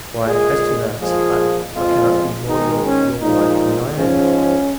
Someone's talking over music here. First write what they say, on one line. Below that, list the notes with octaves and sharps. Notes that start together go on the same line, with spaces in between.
"Why, as to that--I--I cannot be more your--your wife than I am."
A#2 G#3 G#4
A#2 F3 G#3 G#4
F2 F3 G#3 F4
G#2 D#3 G#3 D#4
C#4
A#2 F3 G#3 D#4
G#2 F3 G#3 C#4